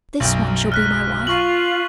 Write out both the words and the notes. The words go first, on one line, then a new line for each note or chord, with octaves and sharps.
'This one shall be my wife.
B1 F#2
F6 F#6 B6
F4 C#6 F6 F#7